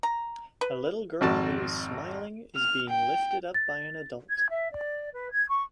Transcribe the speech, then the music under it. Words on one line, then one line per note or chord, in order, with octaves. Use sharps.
A little girl who is smiling is being lifted up by an adult.
A#5
B4
G#1 F2 F#4 A5
F6
G5
A6
G#6
E5
D5
B4
G#6
C#6